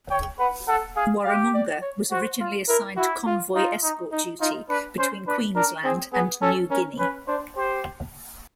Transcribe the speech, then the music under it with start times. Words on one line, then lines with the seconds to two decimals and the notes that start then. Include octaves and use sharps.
"Warramunga" was originally assigned to convoy escort duty between Queensland and New Guinea.
0.10 C#5 G5
0.39 B4 F#5
0.68 A4 F#5
0.96 G#4 F5
1.25 G4 F5
1.54 D5
1.82 C#5
2.11 F#4 C5
2.40 F4
2.69 E4 A#4
2.97 E4 F#4
3.26 F4
3.55 D#4 F4
3.83 D#4
4.12 D#4
4.41 D#4 F4
4.69 D4 B4
4.98 C#4 C5
5.27 D4 B4
5.55 D4 A#4
5.84 C4 G#4
6.13 B3 G#4
6.42 C#4 A4
6.70 C#4 A#4
6.99 C#4 B4
7.27 D4 C5
7.56 G4 C5